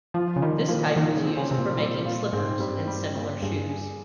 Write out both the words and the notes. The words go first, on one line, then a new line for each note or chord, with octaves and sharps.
This type was used for making slippers and similar shoes.
F3 F4
C#3
D#3 G3
A#2 F3
A#2 D#3
D#3
C#3
C4
C#3
C3 C4
A#2
A#2 G3
A#2 F4
G#2 C4
G2 G3
G3
A#2
G2 G#4
G#4